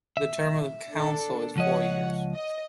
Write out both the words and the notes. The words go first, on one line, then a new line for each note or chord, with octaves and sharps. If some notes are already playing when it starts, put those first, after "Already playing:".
The term of the council is four years.
E5
D4 A4
C#2 F3 C#5 D#5 F#5
D#5